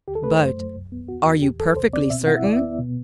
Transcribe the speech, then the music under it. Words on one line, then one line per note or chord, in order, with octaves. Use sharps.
"But are you perfectly certain?"
D2 G4
A4
A3 B4
C5
F#2
F#2
C2
B3
E2 F#4
E2
E2 G4
E2 A4
C2 C5
C4 D5
B2 E5
E4 F#5
E5
D2 D5
E5
B3
B2